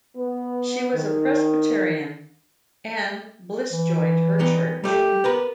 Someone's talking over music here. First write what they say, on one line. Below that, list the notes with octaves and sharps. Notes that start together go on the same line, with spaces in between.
She was a Presbyterian, and Bliss joined her Church.
B3
D#3
E3
G3 B3 D#4
G3 A3 G4 A4
B3 A#4 B4